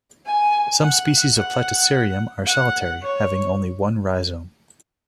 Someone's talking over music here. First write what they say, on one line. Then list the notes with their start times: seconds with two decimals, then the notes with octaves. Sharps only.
Some species of "Platycerium" are solitary having only one rhizome.
0.26 G#5
0.82 F#5
1.37 F#5
2.47 F#5
3.03 C#5